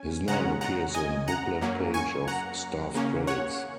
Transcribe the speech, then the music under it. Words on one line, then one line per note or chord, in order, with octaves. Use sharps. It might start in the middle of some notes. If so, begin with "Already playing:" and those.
His name appears in booklet page of staff credits.
Already playing: C#4 G#5
C#3 G#3 C#4 F#5 A#5
F#5 A#5
D#5 G#5
F#5 A#5
F#2 F#3 A#3 C#4
G#5 C#6
F#5 A#5
C#3 A#3 C#4
C#5 F#5